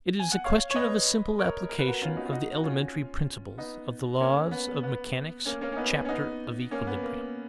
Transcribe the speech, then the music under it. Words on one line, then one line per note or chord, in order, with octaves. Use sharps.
It is a question of a simple application of the elementary principles of the laws of mechanics, chapter of equilibrium.
G#5
F#5
C#5 F5
C#5
B4 D#5
A#4 C#5
A#4
B4
F#4 A#4
C#4 F4
D#4 F#4
F4
D#4 F#4
F#4
C#4 F4
B3 D#4
A#3 C#4
B3
B3
A#3 C#4
A#3 C#4
C#4
B3 D#4
C#4
B3 D#4
A#3 C#4
B3
A#3